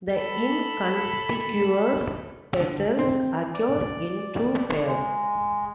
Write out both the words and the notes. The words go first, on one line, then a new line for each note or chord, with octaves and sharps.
The inconspicuous petals occur in two pairs.
A4 B5
D3
C4
D5
G#3